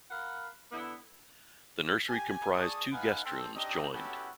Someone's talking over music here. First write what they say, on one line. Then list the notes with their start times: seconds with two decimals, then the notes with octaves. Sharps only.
The nursery comprised two guest rooms joined.
0.11 A#4 F5 F#5 B5
0.72 D3 B3 E4
2.09 G4 G#5
2.55 G#4 D5 A5 C#6 D#6
2.92 B3 D#4 B4 F5 F#5 G#5
3.25 C4 A4
3.56 C4 D4 D#4 G4 D#5
3.93 B3 C#4 E4 F#4 G4 A4